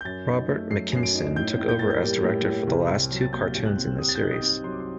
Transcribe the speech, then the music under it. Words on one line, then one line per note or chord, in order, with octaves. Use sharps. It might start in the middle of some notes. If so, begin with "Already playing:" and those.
Robert McKimson took over as director for the last two cartoons in this series.
G6
F#2 A6
D#4
A3
F#3 C7
F#2 C7
D7
D#4
A2 G6
A2
G6
A#3 A6
G6
G3
A2
A2
C2
C4
F#3
A6
A#2 G6
C2
F#6
C4
G2 D#6
A6
G6
D#4 F#6
D#6
C4
F#3 C6
D6
C6